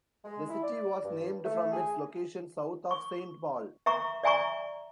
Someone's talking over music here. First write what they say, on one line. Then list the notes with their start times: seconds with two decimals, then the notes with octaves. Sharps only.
The city was named from its location south of Saint Paul.
0.25 G#3
0.49 E4
0.63 D5
1.04 G2
1.45 A3
1.72 G#4
2.91 C#6
3.86 E5 A#5 C#6
4.23 D5 E5 G#5 A#5 C#6